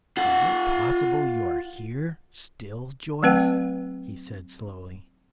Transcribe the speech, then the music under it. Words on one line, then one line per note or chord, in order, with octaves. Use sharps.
"Is it possible you are here still, Joyce?" he said slowly.
F4 F#5
F#3 A3 C4 B4 F#5 G5